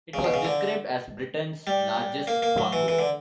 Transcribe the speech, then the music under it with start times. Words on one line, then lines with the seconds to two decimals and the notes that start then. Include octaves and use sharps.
It was described as Britain's largest Quango.
0.14 C#3
0.24 B2
0.34 C#3
0.45 D3
1.67 G3
2.27 A#3
2.42 A#3
2.58 F#3
2.73 E3
2.88 E3
2.99 D3